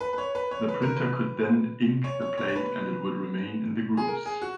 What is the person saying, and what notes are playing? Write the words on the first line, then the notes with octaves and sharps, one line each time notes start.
The printer could then ink the plate, and it would remain in the grooves.
B4
B4
C#5
B4
C#5
B4
A#4
B4
C#5
C#5
C#5
C#5
B4
G#4
A#4
G#4
F#4